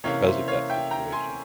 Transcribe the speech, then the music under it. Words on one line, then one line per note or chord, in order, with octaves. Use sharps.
because of that situation.
C3 E3 A#3 C#4 C#5 F5
C5 E5
C#5 F5
E5 G5
G5 A#5
G#5 C6